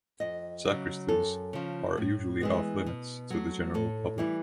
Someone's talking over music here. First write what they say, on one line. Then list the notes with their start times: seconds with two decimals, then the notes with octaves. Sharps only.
Sacristies are usually off limits to the general public.
0.20 F2 D#5
0.65 C#3 F#3
1.08 F#2 A4
1.53 C#3 F3
1.97 A2
2.41 E3 G#3 B3
2.86 B2
3.30 F#3 A3
3.74 A2 A4
4.18 E3 G3 E4